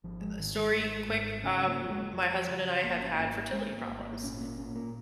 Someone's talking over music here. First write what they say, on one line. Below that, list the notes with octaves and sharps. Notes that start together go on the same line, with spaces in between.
the story, quick. Um, my husband and I have had fertility problems.
G#1 F3
G#3
G#2 D#3
G#3
G#1
G#2
C#3 C#4
A#3
F1
A#3
G#3
F2 F3
C#3
G#1 A#3
C#4
G#2 A#3
A#3
G#2 G#3
A#3
G#1
A#3
A#2 C#4
A#3
A#2 C#4
A#3